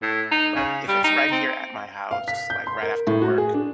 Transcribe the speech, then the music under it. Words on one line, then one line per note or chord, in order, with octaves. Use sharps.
but if it's right here at my house, like, right after work,
A2
D#4
C#3
G3
D#4
C4
F5
B6
G6
C6
A#4
A2
F#4
G#4
D4